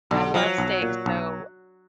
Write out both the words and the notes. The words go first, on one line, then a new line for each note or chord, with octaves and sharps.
I love steak, so
B1 D3
F3 F#3
B1
A#2
B1